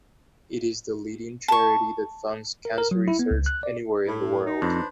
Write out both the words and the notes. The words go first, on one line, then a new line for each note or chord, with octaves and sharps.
It is the leading charity that funds cancer research anywhere in the world.
A5 C#6
A#4
A#4
F#3
E4
B3
C#2
F#6
D5
A2 E4
D#4
F2 D4 B4 C5